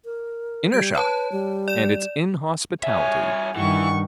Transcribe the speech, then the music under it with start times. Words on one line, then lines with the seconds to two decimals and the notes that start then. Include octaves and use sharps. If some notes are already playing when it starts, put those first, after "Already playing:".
Inertia and its inhospitality.
0.05 A#4
0.72 G3 G6 G#6 D7
0.95 B4 C#5 A5
1.32 G3
1.68 D5 E7
2.83 G2 C#5 E5 G#5
3.56 G2 D#3 E3 F#5 C#6